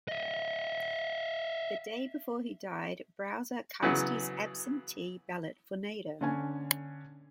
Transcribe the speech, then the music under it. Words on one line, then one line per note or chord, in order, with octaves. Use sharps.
The day before he died, Brower cast his absentee ballot for Nader.
D#5 E5
C#3 E3 F#3 B3
D3 C#4 G#5